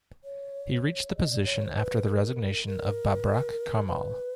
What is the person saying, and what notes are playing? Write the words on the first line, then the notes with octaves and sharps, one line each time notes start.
He reached the position after the resignation of Babrak Karmal.
C#5
D#5
D5
C#5
C5
B4
A#4
A#4
B4